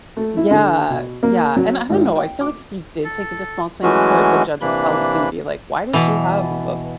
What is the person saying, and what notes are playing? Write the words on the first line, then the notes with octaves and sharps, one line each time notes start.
yeah, yeah, and I don't know, I feel like if you did take it to small claims court, the judge would probably be like, "Why did you have a f
A3
E4
D3
B2
A#3
F#3
G#1
G5
D6
A4
E3 F#3 G#3 A3 C#4 F#4
C3 E3 A#3 D4 B5
B2 E3